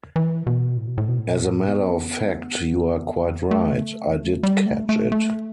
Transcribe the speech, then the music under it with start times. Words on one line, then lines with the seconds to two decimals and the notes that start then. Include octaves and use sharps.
As a matter of fact, you are quite right. I did catch it.
0.16 E3
0.47 B2
0.77 A2
0.88 B2
0.98 A2
1.08 B2
1.19 A2
1.30 B2
1.41 A2
1.68 B3
3.51 A3
4.43 G3
4.66 A3
4.89 A3
5.12 A3